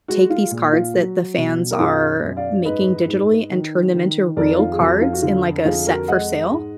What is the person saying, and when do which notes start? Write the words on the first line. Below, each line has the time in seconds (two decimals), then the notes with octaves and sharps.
take these cards that the fans are making digitally and turn them into real cards in, like, a set for sale?
0.08 G#3 F#4
0.30 F4
0.51 A#2
0.73 F4
0.94 F#3 F#4
1.37 B2
1.71 A#4
1.79 F#2 F4 G#4
2.22 F#2
2.37 D5 F5
2.65 G#2 B4 D#5
3.08 G#2
3.51 D#3
3.94 D#3
4.37 F2 A#4 D5
4.58 F4
4.72 G#4
4.79 F2 F#4
5.01 F4
5.13 F#4
5.22 D3 F4
5.65 F2 F4 G#4
5.86 F#4 A#4
6.08 G#3 D#5 F#5
6.51 G#2